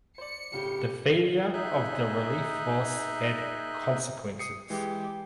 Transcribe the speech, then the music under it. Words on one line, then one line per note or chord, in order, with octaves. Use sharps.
The failure of the relief force had consequences.
C5 D5 C#7
A2 C#3 G4
D#4 G#4 E5 G#5 F#6 G6
D#6 C7 C#7
E3 G#3 G4